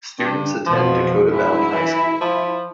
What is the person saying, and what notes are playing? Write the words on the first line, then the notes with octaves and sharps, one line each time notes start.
Students attend Dakota Valley High School.
G2
F2 B2 F3
G#2 E4
E3
F3